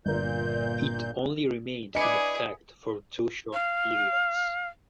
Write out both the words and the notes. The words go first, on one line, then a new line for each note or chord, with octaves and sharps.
It only remained in effect for two short periods.
G1 A#2 A#4 G6
D4 E4 G#4 B4 D5 D#5 G#5 C#7
F5